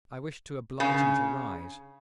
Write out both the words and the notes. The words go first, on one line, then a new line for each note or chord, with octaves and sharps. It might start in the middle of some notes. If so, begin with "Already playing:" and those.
I wished to oblige him to rise.
C#3